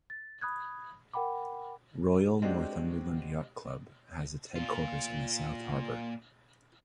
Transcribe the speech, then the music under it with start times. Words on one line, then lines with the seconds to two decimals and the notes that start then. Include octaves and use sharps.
Royal Northumberland Yacht Club has its headquarters in the South Harbour.
0.10 A6
0.41 B5 D#6 F#6 G#6
1.13 A#4 F#5 G5 B5 D6
2.42 G#3 C4 D4 F#4 G4
4.56 A#2 F4